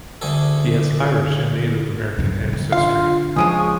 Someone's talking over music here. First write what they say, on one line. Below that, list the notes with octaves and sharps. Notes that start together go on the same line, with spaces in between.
He has Irish and Native American ancestry.
D2 D3 G#4 A4
G2 C#3
D3
F4 F5
C#2 F3 G#3 G#5 D#6
C#6